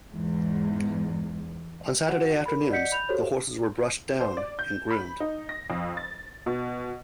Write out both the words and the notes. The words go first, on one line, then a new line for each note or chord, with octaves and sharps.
On Saturday afternoons the horses were brushed down and groomed.
E2 G#2
F#4 F#5
A#4 B5
D5 D#5 F#5 G6 B6 C#7
B5 G6 F7
F#4 G4 A4 C5 C#5
C5
D5
G6
B5
D#4
A#6
F2
A6
B2